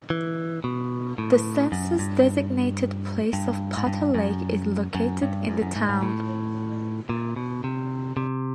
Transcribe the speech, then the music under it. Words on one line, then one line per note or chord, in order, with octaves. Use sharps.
The census-designated place of Potter Lake is located in the town.
E3
B2
A2
F#2
G2
G2
G#2
G2
F#2
F#2
G2
F#2
F#2
G#2
G#2
A2
A#2
B2
C3
C3